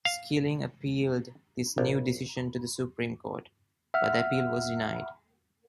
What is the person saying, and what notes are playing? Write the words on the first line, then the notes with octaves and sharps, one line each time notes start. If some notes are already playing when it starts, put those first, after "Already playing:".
Skilling appealed this new decision to the Supreme Court, but the appeal was denied.
F5
A#1
E5 F#5 F6